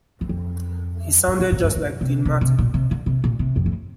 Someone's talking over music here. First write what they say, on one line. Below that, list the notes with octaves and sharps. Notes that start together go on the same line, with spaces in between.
He sounded just like Dean Martin.
E2
F2
A2
A#2
A2
G2
D3
C3
C3
C3
A#2
C3
D3
C3
A#2
C3
F2
A2